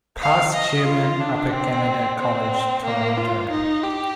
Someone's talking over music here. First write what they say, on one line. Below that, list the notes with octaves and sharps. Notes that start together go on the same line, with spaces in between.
Past Chairman Upper Canada College, Toronto.
F5
D#5
F4
D4
C4
C4
A#3
F4
D#4
G4